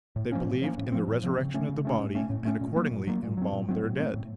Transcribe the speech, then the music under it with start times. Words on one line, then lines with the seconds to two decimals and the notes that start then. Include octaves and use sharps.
They believed in the resurrection of the body, and accordingly embalmed their dead.
0.16 A2
0.32 F3 A#3 C#4
0.47 A2
0.62 F3 A#3 C#4
0.78 A2
0.92 F3 C4
1.08 A2
1.24 F3 C4
1.38 C#3
1.54 A3 C#4
1.69 C#3
1.85 A3 C#4
1.99 A2
2.15 A3 C#4
2.30 A2
2.45 A3 C#4
2.61 A#2
2.76 F#3 A#3
2.91 A#2
3.07 F#3 A#3
3.23 A#2
3.37 F#3 C4
3.53 A#2
3.68 F#3 C4
3.84 A2
3.98 A3 C4
4.14 A2